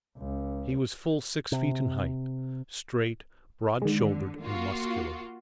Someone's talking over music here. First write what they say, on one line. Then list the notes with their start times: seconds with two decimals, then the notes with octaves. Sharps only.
He was full six feet in height, straight, broad-shouldered, and muscular.
0.18 C#2
1.52 C3
3.82 D3 D#3 G#3
4.42 A#3 F4 F#4